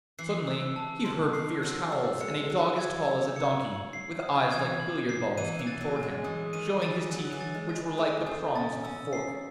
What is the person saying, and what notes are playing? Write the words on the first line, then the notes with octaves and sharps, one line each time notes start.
Suddenly he heard fierce howls, and a dog as tall as a donkey, with eyes like billiard balls, came towards him, showing his teeth, which were like the prongs of a fork.
E3 C7
E6
A5
D#3 C6
D#3 C7
F#3 E6
A3 E6
G#3 C#7
F#3 E6
G#6
E6
C#7
F#7
C7
D#6
E3 G#6
F#7
C7
E3 D#7
E3
A6
F#3
G#5
G#3
E3 D#6
D#3 D#7
E3 A6
F#3 G#5
E3
A6
G#3
G#5
G#3
A3 D#6
C4 G#5
C#4 A6
C#4 E6
C7